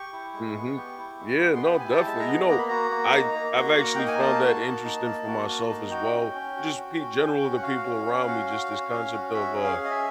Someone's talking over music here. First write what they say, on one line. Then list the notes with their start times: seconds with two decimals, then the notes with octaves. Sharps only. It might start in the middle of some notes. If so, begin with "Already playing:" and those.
Mhm. Yeah, no, definitely, you know, I I've actually found that interesting for myself as well, just pe general the people around me, just this concept of, uh, I
Already playing: G4 C#6
0.13 E4
0.34 G#3
0.56 B3
0.77 G4
0.98 E4
1.19 G#3
1.41 B3
1.55 C6
1.63 G4 B5
1.80 E4 G#5
1.92 A5
2.06 G#3 A5
2.20 A#5
2.27 B3
2.49 A#3 A#5
2.58 B5
2.69 F#4 A#5
2.91 A#3
3.13 D#4
3.35 A#3
3.55 F#4
3.77 A#3 F#5
3.95 D#4 G5
4.07 G#5
4.19 A#3 A5
4.41 F#4
4.63 A#3
4.85 D#4
5.06 A#3
5.27 F#4
5.48 A#3
5.70 D#4
5.91 F#4 G5
6.12 C#4
6.35 C#4
6.56 F#4
6.77 F#4
6.99 C#4
7.20 C#4
7.42 F#4
7.57 F#5
7.62 F#4 F5
7.84 C#4
8.06 C#4
8.27 F#4
8.49 F#4
8.71 C#4
8.92 C#4
9.13 F#4
9.34 C#4 E5
9.56 G#4
9.64 F5
9.77 C#4
9.84 D#5
9.91 E5